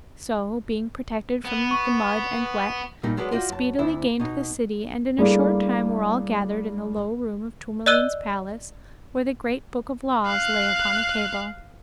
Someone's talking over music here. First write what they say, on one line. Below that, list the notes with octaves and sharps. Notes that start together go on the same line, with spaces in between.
So, being protected from the mud and wet, they speedily gained the City and in a short time were all gathered in the low room of Tourmaline's palace, where the Great Book of Laws lay upon a table.
B3
C#6
A#2 G3 A#3 D#4
F#3 G#3 B3 A4 B4 D5
F4 F#4 D5 D#5 G5
F#2 A5
D2 C3 E4
B2 D#4
G3 A3 A#3 D4 E4 G#4
D5 D#5 E6 F#6 D#7 G7
F5 F#6